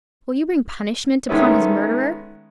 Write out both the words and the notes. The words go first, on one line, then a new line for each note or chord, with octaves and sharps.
Will you bring punishment upon his murderer?
D#3 G#3 A3 B3 C#4 E4